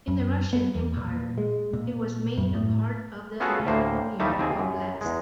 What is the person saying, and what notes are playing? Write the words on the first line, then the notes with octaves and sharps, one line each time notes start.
In the Russian Empire it was made a part of the Armenian Oblast.
F#2
B3
E2
A#2
G#3
A#2
F#2
A2
B3 C#4 F4 F#4 G#4 A4
D2 A2 A#3 C5
D#2 G3 A3 D#4 E4 A5
D#2 C4 G#4 G#5
F#2
E2 G#3